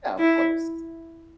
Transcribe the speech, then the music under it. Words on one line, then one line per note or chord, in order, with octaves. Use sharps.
Yeah, of course.
E4